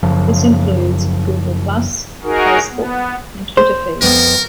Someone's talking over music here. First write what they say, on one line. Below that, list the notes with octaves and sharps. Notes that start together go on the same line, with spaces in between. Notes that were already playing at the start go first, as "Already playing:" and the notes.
This includes: Google Plus, Facebook, and Twitter feeds.
F#2 C#3 F3
D#4 F#4 G#4 A#4
B3
C5
F2 B3 A#4